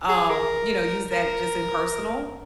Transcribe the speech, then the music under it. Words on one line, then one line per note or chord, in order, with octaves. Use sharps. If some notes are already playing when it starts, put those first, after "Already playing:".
um, you know, use that just in personal?
G#4
A#4
A#4